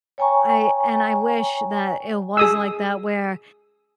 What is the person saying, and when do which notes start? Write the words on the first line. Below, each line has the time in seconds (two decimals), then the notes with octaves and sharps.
I and I wish that it was like that where,
0.18 C#5 G5 G#5 A#5 C#6
2.37 G#4 D#6 E6